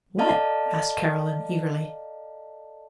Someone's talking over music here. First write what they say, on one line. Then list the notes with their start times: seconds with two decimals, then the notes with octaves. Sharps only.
"What?" asked Caroline, eagerly.
0.18 A4 D5 D#5 F5 A5 A#5